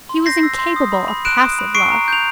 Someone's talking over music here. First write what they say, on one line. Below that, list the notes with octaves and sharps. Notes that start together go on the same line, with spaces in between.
He was incapable of passive love.
C6
G6 A#6 C7
E6
C6
D#6
B5
B5
F#6 D7 E7
D#6
B5
C#6 C7 D7
A#5
G6 F7